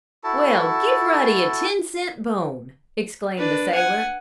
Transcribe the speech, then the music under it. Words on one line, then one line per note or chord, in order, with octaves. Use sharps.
"Well, give Ruddy a ten cent bone!" exclaimed the sailor.
E4 F#4 A4 A5
D4 B4
F#5 G#5